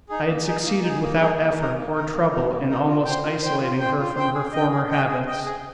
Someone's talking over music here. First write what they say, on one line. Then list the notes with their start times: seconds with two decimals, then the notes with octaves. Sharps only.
I had succeeded without effort or trouble in almost isolating her from her former habits.
0.09 D#4 G#4
0.28 A#3
0.47 D#4 G#4
0.65 A#3
0.83 D#4 G#4
1.03 A#3
1.20 D#4 G#4
1.39 A#3
1.58 D#4 A#4
1.77 A#3
1.95 D#4 A#4
2.13 A#3
2.31 D#4 A#4
2.49 A#3
2.68 D#4 A#4
2.87 F4
3.05 C5 G5
3.23 F4
3.43 C5 G5
3.61 F4
3.80 C5 G5
3.98 F4
4.16 C5 G5
4.34 G#4
4.52 D#5 G5
4.71 G#4
4.91 D#5 G5
5.08 G#4
5.27 D#5 G5
5.45 G#4